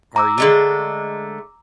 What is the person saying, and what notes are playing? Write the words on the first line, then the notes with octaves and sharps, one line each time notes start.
"Are you?"
A#5 D6 E6
D3 G#3 A3